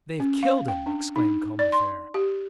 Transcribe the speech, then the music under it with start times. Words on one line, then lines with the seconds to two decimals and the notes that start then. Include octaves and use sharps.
"They have killed him," exclaimed Combeferre.
0.20 C#4
0.43 F5
0.68 G5
0.86 D4
1.16 D#4
1.59 D5
1.72 C6
2.14 G4